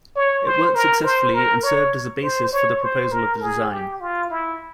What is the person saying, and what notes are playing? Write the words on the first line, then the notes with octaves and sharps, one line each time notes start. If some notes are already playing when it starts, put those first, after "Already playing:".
It worked successfully and served as a basis for the proposal of the design.
C#5
C5
A#4
C5
A#4
C#5
C5
C#5
C5
A#4
G#4
G4
F4
E4